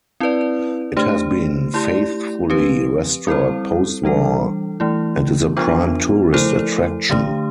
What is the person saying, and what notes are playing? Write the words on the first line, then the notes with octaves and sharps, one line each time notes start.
It has been faithfully restored post-war and is a prime tourist attraction.
C4 E4 B4 D5
A3 D4 G4 C5
A3 E4 G4 D5
F3 C4 G4 B4
G3 C4 E4 A4 C5
E3 G3 D4 A4
E3 A3 E4
F3 B3 D4 F4 C5
F3 A3 E4 A4 C5
D3 A3 D4 G4